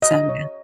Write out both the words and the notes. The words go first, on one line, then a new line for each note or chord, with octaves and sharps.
so yeah.
F#4 D#5
C#5